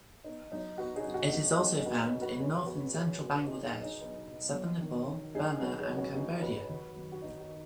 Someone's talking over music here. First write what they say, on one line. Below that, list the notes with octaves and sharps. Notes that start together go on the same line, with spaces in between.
It is also found in north and central Bangladesh, southern Nepal, Burma and Cambodia.
B3 D#4
F#3 D#4
B3 F#4
D#4 G#4
F#2
F#4
D#4
F#2 F#4
F#3 D#4 G#4
F#2 F#4 B4
B3
F#4 B4
B2 G#4 C#5
B2 F#4 B4
B2 G#4 C#5
B2 F#4 B4
B3 D#4 G#4
D#4 G#4
B1
D#4
B3
B2
F#3
D#3
D#3
F#2 D#4 G#4
F#3 F#4 B4
G#4 C#5
F#3
F#4 B4
F#1 D#4 G#4
F#1 F#4 B4
D#2
F#3
F#4
D#3 D#4
F#4